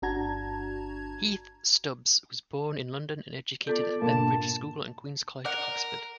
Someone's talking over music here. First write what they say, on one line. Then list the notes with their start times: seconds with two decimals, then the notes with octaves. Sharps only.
Heath-Stubbs was born in London, and educated at Bembridge School and Queen's College, Oxford.
0.02 G1 D4 F#4 A5 A#5 G#6
3.67 B3 F4 A4 D5
4.02 G#2 B2 A#3 D4 A5
5.45 A#4 D5 F#5